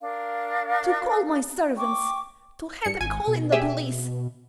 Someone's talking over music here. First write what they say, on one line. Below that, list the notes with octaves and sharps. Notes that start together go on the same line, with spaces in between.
"To call my servants--to have them call in the police."
D4 A#4 F5
G5 C#6 D6
G2 C#7
G#1 G#5
B2
G4 G#4 E5